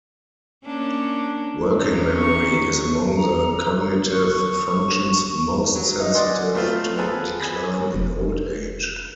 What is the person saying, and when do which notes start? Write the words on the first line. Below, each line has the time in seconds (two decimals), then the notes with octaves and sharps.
Working memory is among the cognitive functions most sensitive to decline in old age.
0.65 A#3 C#4 D4
1.77 E2 C#4 D#4
2.17 C#6
3.16 A#5
4.11 C#6
5.75 F#3
6.00 D#4
6.15 D5 D#5 F#5 G#5 C6
6.54 F#3 A3 B3 C4 F4 C5
6.96 B3 C4 F4 G#4 A4 B4
7.40 G#5 B5
7.94 F1